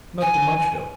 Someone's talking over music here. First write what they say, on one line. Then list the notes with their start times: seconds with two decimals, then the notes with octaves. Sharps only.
Not too much, though.
0.21 G#5